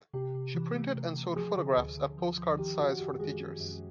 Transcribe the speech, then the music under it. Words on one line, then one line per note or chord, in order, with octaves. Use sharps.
She printed and sold photographs at postcard size for the teachers.
C3 G4
C3
E3
A3
C3
C3
F3 G#4
D3
D2
D3
F3
F3
D#3 G4
F#2 F#4
F#2 G4
G#3 G#4
C#4
F#2